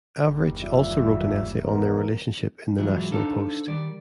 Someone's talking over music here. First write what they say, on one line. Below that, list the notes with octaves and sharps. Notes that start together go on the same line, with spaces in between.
Avrich also wrote an essay on their relationship in The National Post.
F#1 D#2 G3
F4 D5 E5
E2 A#4
G#2 E3 F#3 E4 F4
D4 D#4 A4 C5 F5
D#3 G3 D5